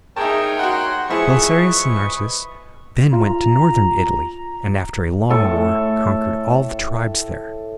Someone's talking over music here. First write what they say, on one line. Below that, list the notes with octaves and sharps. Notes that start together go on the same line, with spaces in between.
Belisarius and Narses then went to Northern Italy, and, after a long war, conquered all the tribes there.
D#4 G#4 A#4 C#5 E5 G5 A5
F#4 F#5 C6
F3 E4 G#4 B4 D#5 C#6
F4 A#5
A2 A4 C#6